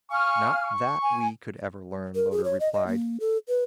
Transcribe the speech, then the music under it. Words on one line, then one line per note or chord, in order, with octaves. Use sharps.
"Not that we could ever learn," Loder replied.
F5 G#5 C#6 F6
C#6
G#5
A#4
G#4
C#5
D#5
D#5
A#3
A4
B4